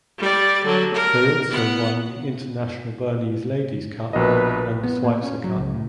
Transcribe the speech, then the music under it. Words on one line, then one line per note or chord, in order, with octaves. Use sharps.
They also won the International Bernese Ladies Cup and the Schweizer Cup.
G3 D5
D3 F#3
A#4
B3 F#5
A#1 B2 A#4 B4 D#5
B3
A#2
C#4
F#3
C#2
A2